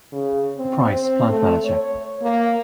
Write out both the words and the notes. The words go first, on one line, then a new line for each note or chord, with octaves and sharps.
Price, plant manager.
C#3
C4
C4
A3
C#5
A#3